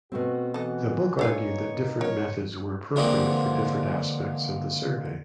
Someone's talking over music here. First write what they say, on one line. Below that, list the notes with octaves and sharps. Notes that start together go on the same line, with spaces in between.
The book argued that different methods were appropriate for different aspects of the survey.
B2 A3 C4 F#4
E3 B3 D#4 F#4 A4 D#5
A#3 B3 D4 D#4 A4 C#5 F5 G#5
A#4 C#5
D3 E3 F3 G#3 A#3 C4